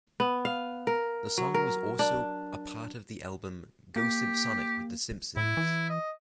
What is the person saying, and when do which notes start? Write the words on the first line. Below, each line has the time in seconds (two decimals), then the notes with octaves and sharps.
The song was also a part of the album "Go Simpsonic with The Simpsons".
0.20 B3
0.45 F5
0.87 A#4
1.38 F#3
1.54 A#4
1.99 D4
3.96 A#3 G4
5.37 A2 E4
5.57 E3
5.90 D#5